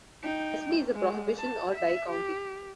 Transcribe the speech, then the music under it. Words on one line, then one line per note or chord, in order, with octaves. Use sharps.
Leslie is a prohibition or dry county.
D#4 G5
G#3
A5
E5
G4